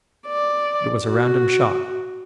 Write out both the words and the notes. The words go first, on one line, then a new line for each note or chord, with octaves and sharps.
It was a random shot.
D5
F#4